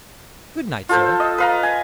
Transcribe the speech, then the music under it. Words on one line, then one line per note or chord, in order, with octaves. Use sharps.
Good-night, sir.
F4 A4 C5
D#5
B4 F5 A#5
G#5